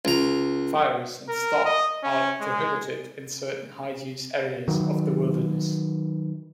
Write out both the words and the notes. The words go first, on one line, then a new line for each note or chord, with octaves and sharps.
Fires and stock are prohibited in certain high-use areas of the wilderness.
C#2 A#5
A#4
D#5
C#4
G#3
D#3 F#3